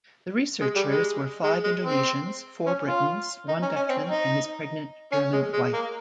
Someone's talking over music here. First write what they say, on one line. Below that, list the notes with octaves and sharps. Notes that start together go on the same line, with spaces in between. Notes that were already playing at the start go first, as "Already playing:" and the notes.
The researchers were five Indonesians, four Britons, one Dutchman and his pregnant German wife.
G#3
G3
G#3
G#3
G#3
C4
C#4
F4
D#4
C#4
C#4
C4
D#4
C#4
G#3
G#3
A#3